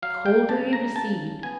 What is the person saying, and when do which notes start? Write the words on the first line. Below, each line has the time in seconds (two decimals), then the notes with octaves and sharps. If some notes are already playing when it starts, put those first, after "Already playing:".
Coldly received.
0.02 F#3 F5
0.26 G5
0.49 C#3 A5
0.73 A#5
0.96 C#3 A5
1.43 B3 G#5